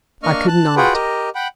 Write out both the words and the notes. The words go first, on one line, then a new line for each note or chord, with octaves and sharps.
I could not.
A#3 D4 D#5 C#6 F6
A5 F#6
F4 F#4 G#4 B4 F#5 G5
G4 A#4 D#5
F#5 G5 B5